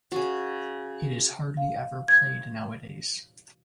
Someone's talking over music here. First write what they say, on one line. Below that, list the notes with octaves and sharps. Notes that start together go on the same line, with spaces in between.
It is hardly ever played nowadays.
C#3 F#4
F5
G#6